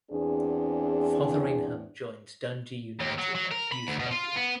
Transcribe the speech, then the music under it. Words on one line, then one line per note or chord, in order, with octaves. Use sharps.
Fotheringham joined Dundee United at youth level.
E2 C4 D4 G#4
D#2
F#3
F#3
A#4
B5
D2
B2
F4
B3